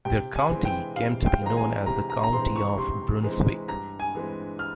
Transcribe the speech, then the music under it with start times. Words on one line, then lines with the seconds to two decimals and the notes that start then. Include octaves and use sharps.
Their county came to be known as the County of Brunswick.
0.05 C3 G5
0.36 G#5
0.51 E3 G#3 C4
0.65 G5
0.96 C3 F5
1.26 G5
1.41 E3 G#3 C4 A#5
1.57 G#5
1.86 C3 A#5
2.10 A#5
2.23 A#5
2.33 E3 G#3 C4 C6
2.56 C#6
2.77 C3 C6
3.23 E3 G#3 C4
3.68 G2 A#5
4.00 G#5
4.15 E3 G#3 C4
4.59 F6